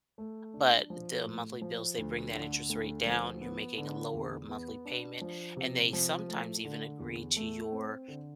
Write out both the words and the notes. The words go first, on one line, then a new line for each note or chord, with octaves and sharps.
But the monthly bills, they bring that interest rate down, you're making a lower monthly payment, and they sometimes even agree to your
A3
D4
F3
A2
F3
D2
D3
D2
F3
B3
D3
E2
B3
D4
F3
C3
F3
A3
D3
E2
A3
C4
D3